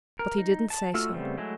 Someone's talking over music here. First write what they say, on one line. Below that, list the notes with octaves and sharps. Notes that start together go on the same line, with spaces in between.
But he didn't say so.
A#4
D#4
A5
A3 F4 F#4 E6 F6
C#3 G3 A3 B3 C4
F#3 G#3 A3 E4